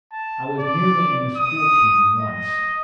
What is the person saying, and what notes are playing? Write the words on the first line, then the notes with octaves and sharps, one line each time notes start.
I was nearly in the school team once.
A5
D5
D#6
D#5